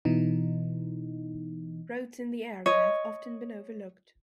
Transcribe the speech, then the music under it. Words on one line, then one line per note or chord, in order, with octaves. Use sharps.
Roads in the area have often been overlooked.
B2 E3 D#4
C#5 D#5